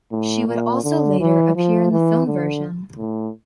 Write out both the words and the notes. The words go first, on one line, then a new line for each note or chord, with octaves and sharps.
She would also later appear in the film version.
A2
A#2
D3
E3
F3
E3
D3
A2